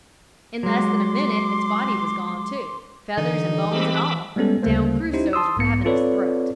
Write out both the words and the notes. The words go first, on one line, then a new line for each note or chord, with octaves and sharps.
In less than a minute its body was gone too--feathers and bones and all--down Crusoe's ravenous throat.
F#3 G#3 C6 D6
D3 E3 D#4
G3 G#3 C4 B5 D6 E6
G3 G#3 B3 C#4 A4
D2 C#3 G3 A3 A#3 C5
C#4 D#4 E4 G4 C5
A5 C6 D#6 E6
B1 G#2 B3 C#7
C4 F4 A4 B4 C#5 D5